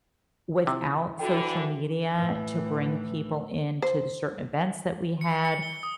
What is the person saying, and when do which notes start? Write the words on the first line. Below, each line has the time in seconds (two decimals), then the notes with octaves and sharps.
without social media to bring people into the certain events that we had
0.67 C3 E4
1.19 D3 E3 F#4 A4 G5
2.15 A2 E3
3.82 C5
5.21 C#7
5.45 C#7
5.63 G7
5.83 D#6